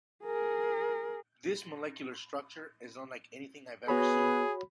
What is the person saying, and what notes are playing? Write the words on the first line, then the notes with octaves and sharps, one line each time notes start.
This molecular structure is unlike anything I've ever seen.
G#4 A#4
B3 F#4 G#4 C#5 B5